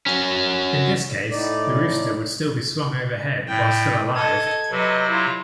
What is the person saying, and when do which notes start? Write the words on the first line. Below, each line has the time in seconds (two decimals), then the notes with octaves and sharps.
In this case, the rooster would be swung overhead while still alive.
0.06 F#3 C#4
1.31 A2 D#4 D5
3.48 A2 E4 G5
4.15 A4 D#5 G#6
4.71 C3 F#3 B4 D#5
5.08 E4 F4